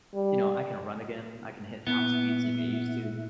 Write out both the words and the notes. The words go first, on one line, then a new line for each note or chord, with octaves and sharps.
you know, I can run again, I can hit top speeds like I used to,
G3
A#2 B3 E4